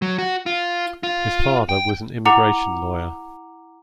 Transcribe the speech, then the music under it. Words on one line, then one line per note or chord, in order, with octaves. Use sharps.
His father was an immigration lawyer.
F#3
F#4
F4
F4
G5
E4 F#5 A#5 D6 C#7 F7